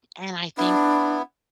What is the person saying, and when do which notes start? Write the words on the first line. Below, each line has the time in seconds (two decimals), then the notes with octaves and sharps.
and I think
0.58 B3 D4 E4